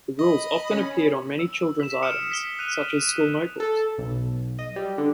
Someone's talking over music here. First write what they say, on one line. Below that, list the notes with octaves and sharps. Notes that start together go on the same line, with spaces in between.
The Rules often appeared on many children's items, such as school notebooks.
D#5 B5
C#4
E6
B6 E7
D#6 F6 C#7 D7 E7
B6 G7
F#6 C#7 D#7 F7
A4
B1
D#5
G3
D3